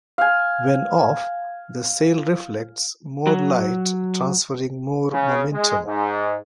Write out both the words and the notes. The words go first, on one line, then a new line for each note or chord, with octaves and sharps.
When off, the sail reflects more light, transferring more momentum.
F5 G#5
F#3
C#3
G#3
G#2